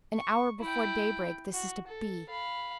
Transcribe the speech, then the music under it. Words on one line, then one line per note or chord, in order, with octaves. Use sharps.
An hour before daybreak this is to be.
C#6
E4 G5
F#4
A4
F5 B5